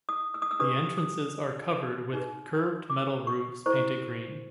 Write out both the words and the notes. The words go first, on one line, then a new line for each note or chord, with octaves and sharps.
The entrances are covered with curved metal roofs painted green.
D#6
E6
D#6
E6
D4 G4 B4 D#6
D#6
D#4 G#4 B4
D6
C#6
E4 A4 C5 C#6